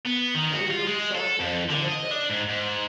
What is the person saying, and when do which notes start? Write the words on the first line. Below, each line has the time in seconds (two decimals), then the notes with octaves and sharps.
She looks shocked and disgusted.
0.06 B3
0.34 D#3
0.54 F#4
0.70 F4
0.86 G#3
1.15 A4
1.40 F2
1.69 D3
1.88 D#5
2.11 D4
2.30 G#2
2.49 G#2